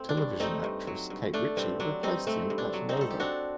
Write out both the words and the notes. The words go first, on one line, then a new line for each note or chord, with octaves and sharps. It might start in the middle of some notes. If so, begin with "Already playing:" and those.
Television actress Kate Ritchie replaced him at Nova.
Already playing: A3 C4
D4
G2
A3 C4 D#4
G2
F#3
G2
A3 D4
G2 C4
F#3 D4
G2 C4 D#4
A3 C4
G2
D4
F#3
C4 D#4
G2 A4
G4
C4 D4 F#4